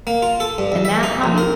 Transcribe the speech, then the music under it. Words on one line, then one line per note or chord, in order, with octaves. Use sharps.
in that hobby.
A#3
F4
A4
G2
E2
E5
D#4
A#1
A#4